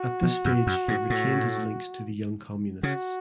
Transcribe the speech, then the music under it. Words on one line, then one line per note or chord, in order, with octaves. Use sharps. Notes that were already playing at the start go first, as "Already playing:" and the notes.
At this stage he retained his links to the Young Communists.
Already playing: F#4
B2
F#2
F#2
G#2
A2
C#3 F#4